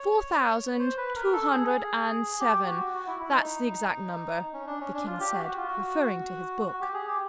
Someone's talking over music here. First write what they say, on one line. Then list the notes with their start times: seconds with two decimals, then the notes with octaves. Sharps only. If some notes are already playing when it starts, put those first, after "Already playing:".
'Four thousand two hundred and seven, that's the exact number,' the King said, referring to his book.
Already playing: C#5
0.79 C5
0.97 B4
1.16 A#4
1.33 A4
1.51 G#4
1.69 G#4
2.40 G4
2.66 F#4
2.94 F#4
3.07 E4
3.20 E4
3.34 D#4
4.53 C#4
4.67 D4
4.80 C#4
4.94 D4
5.07 F4
5.20 G4
5.34 F#4
5.47 F#4
5.57 F4
5.68 F#4
6.67 F#4
6.81 G4
6.94 G#4
7.08 G4